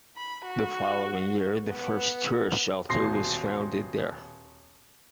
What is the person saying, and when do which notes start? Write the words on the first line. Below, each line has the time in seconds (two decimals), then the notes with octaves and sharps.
The following year the first tourist shelter was founded there.
0.16 B5
0.45 F#4
1.66 B3
2.89 D#1 B2 C6 A#6 C7